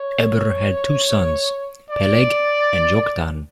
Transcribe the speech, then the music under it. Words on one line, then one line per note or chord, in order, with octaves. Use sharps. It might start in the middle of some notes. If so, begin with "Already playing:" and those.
Eber had two sons: Peleg and Joktan.
Already playing: C#5
D5